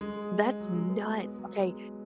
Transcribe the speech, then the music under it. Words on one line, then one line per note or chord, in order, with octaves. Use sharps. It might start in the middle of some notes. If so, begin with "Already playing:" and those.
That's nuts, okay,
G#3
F#3
G#3
B3
B3
F#3
G#3